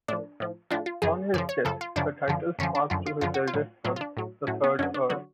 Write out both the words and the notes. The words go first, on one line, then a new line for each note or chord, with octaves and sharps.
On his death the titles passed to his eldest son, the third Earl.
A2 F3 D4
A2 F3
A2 F3 D4
F4
F#2 C#3 F3 G#4
F#2 C#3 F3 D5
C#5
F#2 C#3 F3 A4
F4
F#2 C#3 F3 D4
F#2 D3 F3
F#2 D3 F3 C#4
D4
F#2 D3 F3 F4
F4
F#2 D3 F3 F4
F#4
F4
A2 F#3
A2 F#3 F4
F4
D4
A2 F#3
A2 F#3 C#4
B3
F#2 D3 F#3 C#4
D4
D3 F#3 F#4